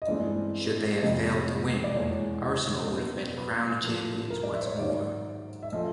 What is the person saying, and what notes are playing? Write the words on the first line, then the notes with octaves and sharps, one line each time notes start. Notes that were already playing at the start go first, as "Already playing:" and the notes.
Should they have failed to win, Arsenal would have been crowned champions once more.
D#5
G2 E3 G#3 C4 D5
F2 C3 F3 G#3 D#5
D5
E2 B2 G#3 C#5
B2 F#3 A#3
B4
A2 F3 A#3
A#4
D5
E5
C5
C#5
G#2 D#3 F#3 D5
E5
C#3 F3 A3 C#4 D#5